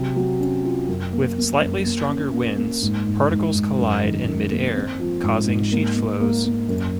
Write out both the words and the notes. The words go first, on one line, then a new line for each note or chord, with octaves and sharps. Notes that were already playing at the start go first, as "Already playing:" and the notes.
With slightly stronger winds, particles collide in mid-air, causing sheet flows.
Already playing: C3 F#3
F#3
C#4
F4
F#2
A#3
A#3
F#2
A#3
C#4
A#3
A#3
G#2
G#2
G#2
G#2
F#2
D#3
F#2
A#3
C4
F3
G#2
G#2
A#3
A#3
A#3
A#3
F#2